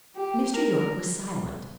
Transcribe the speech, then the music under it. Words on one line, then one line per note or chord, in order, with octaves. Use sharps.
Mr. Yorke was silent.
G4
A#4